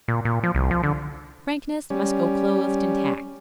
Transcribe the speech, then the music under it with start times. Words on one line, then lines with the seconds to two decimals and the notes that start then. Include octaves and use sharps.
Frankness must go clothed in tact.
0.08 A#2
0.25 A#2
0.44 F3
0.55 C2
0.71 F3
0.83 D3
1.90 G3 C#4